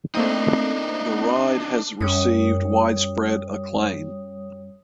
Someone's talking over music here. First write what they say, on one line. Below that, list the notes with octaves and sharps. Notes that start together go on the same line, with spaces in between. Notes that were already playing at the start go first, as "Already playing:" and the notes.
The ride has received widespread acclaim.
A3 A#3 C4 D4 D#4
F#2 G3 C#5 D#6